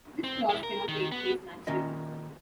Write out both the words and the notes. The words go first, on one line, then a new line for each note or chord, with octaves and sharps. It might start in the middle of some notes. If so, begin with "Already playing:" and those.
This cross cannot take place naturally.
C4
G#3 E4
A#4
D#3
B3
A#2 D#3 C#4 A#4 D#5 E5